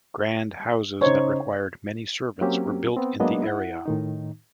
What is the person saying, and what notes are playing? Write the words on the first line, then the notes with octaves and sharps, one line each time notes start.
Grand houses that required many servants were built in the area.
C#3 D#4 C5 C#5
F#3 A#3 C4 C#4 G4
B3 C4
F#3 G#3 A#3 B3 D4 D#5
E4 F#5
A2 D#3 D#4